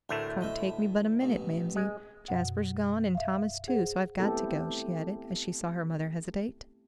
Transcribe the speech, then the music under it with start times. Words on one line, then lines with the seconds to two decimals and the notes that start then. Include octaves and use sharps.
"Twon't take me but a minute, mamsie; Jasper's gone, and Thomas, too, so I've got to go," she added, as she saw her mother hesitate.
0.09 D2 A2 A3 A#4
0.41 D#5 E5
1.21 A1 B2
1.76 G#3
2.28 F#2 B2 F#5
3.15 E5 F5
3.68 G#4 C5 F#5
4.19 A3 B3 C4 E4 G4 A4